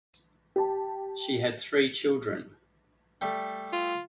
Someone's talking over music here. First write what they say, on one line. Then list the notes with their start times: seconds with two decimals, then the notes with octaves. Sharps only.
She had three children.
0.56 G4 A5
3.21 G3 A3
3.73 F4